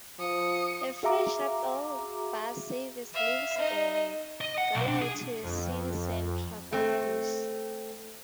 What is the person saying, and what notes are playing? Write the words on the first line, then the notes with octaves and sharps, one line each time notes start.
A free shuttle bus service links the gallery to the city centre galleries.
F3 D#6 C#7
F#4 G#4 E5 F5 A#5 D6
E5 F5
D#4 D#5
D#5
F#5
B1
D4
G#4
F2
A3 C4